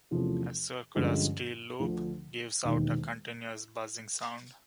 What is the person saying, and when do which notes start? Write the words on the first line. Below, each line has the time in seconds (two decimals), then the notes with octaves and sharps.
A circular steel loop gives out a continuous buzzing sound.
0.11 E2 C3 F3 A3 C#4
0.95 G2 D3 F3 G#3 C#4
1.79 D2 D3 F3
2.64 E1 D#2 D#3